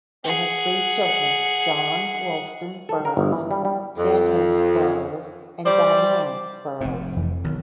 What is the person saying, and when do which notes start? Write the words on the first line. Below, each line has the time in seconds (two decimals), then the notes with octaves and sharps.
They had three children, John Ralston Burroughs, Danton Burroughs, and Dian Burroughs.
0.24 G#4 F#5
2.89 A4
3.05 A#4
3.17 G1
3.32 E3
3.51 G3
3.65 G3
3.98 F2
5.66 G3 C5 D5
6.81 F1 G#2 C4
7.16 F2 E3
7.44 B1 D#3 F#3